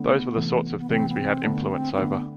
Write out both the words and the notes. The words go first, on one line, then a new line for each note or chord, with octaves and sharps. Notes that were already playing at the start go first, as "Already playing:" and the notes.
Those were the sorts of thing we had influence over.
Already playing: D3 A3 B3 D4
C3 E3 A3
B3
C3 E3 A3 C4
B3
C4
D3 A3 B3 D4
C4
C4
D3 A3 B3 D4